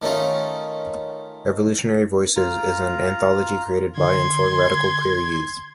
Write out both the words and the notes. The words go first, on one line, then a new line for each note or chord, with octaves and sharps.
Revolutionary Voices is an anthology created by and for radical queer youth.
D#3 A3 C#4 D#4 F4
F4 A#5
D3 C6 G#6